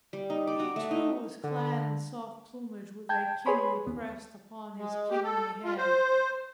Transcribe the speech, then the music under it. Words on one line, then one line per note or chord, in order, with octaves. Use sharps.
He too was clad in soft plumage with a kingly crest upon his kingly head.
G3
D#4
D5
F#4
A3
D#4
D3
G5 A5 G6 G#6
G#4 B4 C#5 G#5 B5 C6
D#2 B3
G#3
G4
A4
F4
C5